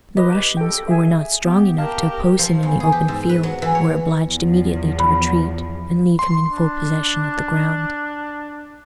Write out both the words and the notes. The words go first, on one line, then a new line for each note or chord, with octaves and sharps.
The Russians, who were not strong enough to oppose him in the open field, were obliged immediately to retreat, and leave him in full possession of the ground.
G4 B4 D#5
A4 G5
G#4 E5 G#5
B3 G4
G4 A#4 F5 A5
F3
E2
G#4
G4
G#2
B4
F#3
E3
C#5
E2 F3
B5
C6
D4